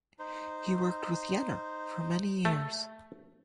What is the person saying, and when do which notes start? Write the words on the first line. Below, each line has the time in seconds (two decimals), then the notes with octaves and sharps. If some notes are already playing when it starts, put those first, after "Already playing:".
He worked with Yener for many years.
0.19 D#4 C5
2.45 A3